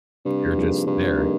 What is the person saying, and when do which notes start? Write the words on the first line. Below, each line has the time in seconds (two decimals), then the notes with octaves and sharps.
They're just there.
0.25 G2 C3
0.56 F3 A#3 D#4 G#4
0.86 G2 C3
1.16 F3 A#3 D#4 G#4